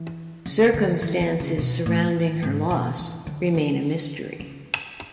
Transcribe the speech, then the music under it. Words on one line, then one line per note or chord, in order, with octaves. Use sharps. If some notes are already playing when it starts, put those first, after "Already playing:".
Circumstances surrounding her loss remain a mystery.
Already playing: E3
C#3
D3
E3
E3
C#3
B2
A2
G#2
B2
E3
D3
D3
C#3